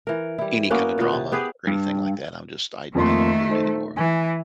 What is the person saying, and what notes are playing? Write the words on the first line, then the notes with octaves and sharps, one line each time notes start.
any kind of drama or anything like that, I'm just I I don't do it anymore,
E3 A#4
G3 E4
A#3 B3 C#4 F#4
A#2 B3
C3
B3 G4 G#4 B4
G2
F2 D#3 A3 A#3 C6
D#4 A4 C5
E3 G#5